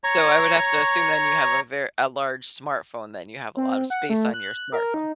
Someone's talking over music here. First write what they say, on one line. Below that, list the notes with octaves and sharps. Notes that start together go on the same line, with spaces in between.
So I would have to assume then you have a ver a large smartphone, then you have a lot of space on your smartphone.
C#5 A#5 C#6
C4
F#5
A3
F#6
A#4
D#4